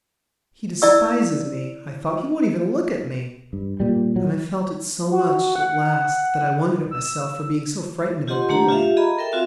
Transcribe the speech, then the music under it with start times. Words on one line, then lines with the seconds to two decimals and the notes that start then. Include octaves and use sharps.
'He despises me,' I thought; 'he won't even look at me.' And I felt it so much at last that I wondered at myself for being so frightened of a boy.
0.82 E4 D5 E6
3.53 G2
3.80 A#2 G3
4.16 F#3
5.12 F#4
5.55 F#5
6.91 E6
8.28 F4 G4 D#5 F#5 C6
8.49 A3 D4 G4 F#5 A#5
8.68 F4 G4 E5 F5
8.97 G#4 D#5 A#5 B5
9.18 A4 A#4 E5 G5
9.32 C4 F4 F#4 E5 F5